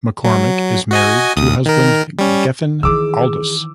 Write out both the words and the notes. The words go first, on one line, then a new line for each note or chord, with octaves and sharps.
McCormick is married to husband Gethin Aldous.
F#3
F#4 D#5 G#5
D2 D#6
D#3 A#4
G3 C#4
D#3 E3 G#4 D6 E6